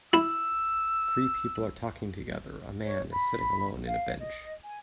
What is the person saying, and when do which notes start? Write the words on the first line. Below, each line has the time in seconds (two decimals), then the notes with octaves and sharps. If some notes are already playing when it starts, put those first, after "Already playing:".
Three people are talking together, a man is sitting alone in a bench.
0.13 E4 E6
2.83 C#5
3.11 B5
3.85 F5
4.18 D#5
4.63 G#5